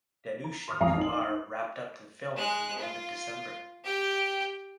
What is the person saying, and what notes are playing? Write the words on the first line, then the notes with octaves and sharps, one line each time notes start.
Dhanush and Kumar wrapped up the film in the end of December.
A#5
C6 C#6 D#6 F6
A1 F2 E5 F5 A#5 C7
D#4 F#7
G#3 F#6
F4
G4 G5